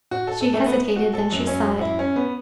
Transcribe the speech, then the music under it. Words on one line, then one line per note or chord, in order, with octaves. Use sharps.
She hesitated; then she sighed.
F#4
A4
A4
A3
B3
F#4
A4
F#2 F#3
C#4
E4
C#4
B3